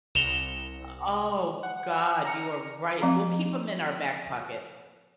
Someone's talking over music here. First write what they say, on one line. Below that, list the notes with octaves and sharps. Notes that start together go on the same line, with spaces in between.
O oh, god, you are right, we'll keep 'em in our back pocket.
C2 A#6 C#7 E7 F7 G7
F#5
A#5 F6 C#7
F3 C4 F5 A#5